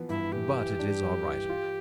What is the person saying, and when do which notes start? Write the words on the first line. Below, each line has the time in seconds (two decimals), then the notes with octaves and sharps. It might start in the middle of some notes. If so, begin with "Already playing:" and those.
But it is all right.
Already playing: E3 F3 B3
0.09 G2 E4
0.32 E3 G4
0.56 E3
0.79 D4
1.02 G2
1.26 E3
1.49 F4